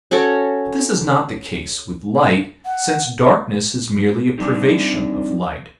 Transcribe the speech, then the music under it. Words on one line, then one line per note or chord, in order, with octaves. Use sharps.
But this is not the case with light since darkness is merely a privation of light.
C#4 F#4 A4 C#5
F#5
G3 C4 D4 D#4 G4